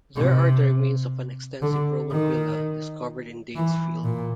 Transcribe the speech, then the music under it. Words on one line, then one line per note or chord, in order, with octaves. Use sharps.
There are the remains of an extensive Roman villa discovered in Danes Field.
C3
D3
D#3
E3
A#2